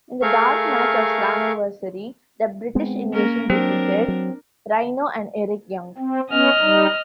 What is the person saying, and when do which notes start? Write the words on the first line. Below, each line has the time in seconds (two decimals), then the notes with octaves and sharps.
In the dark match of Slammiversary, the British Invasion defeated Rhino and Eric Young.
0.22 A3 G#4 A#4 E5 F5 C#6
2.75 G#3 B3 C4
3.13 A#3 C#4 A#4
3.50 F#3 C4 D4 A#4
4.08 F#3
5.98 C4
6.31 B3 C#4 D#5 F6
6.61 G3 D#4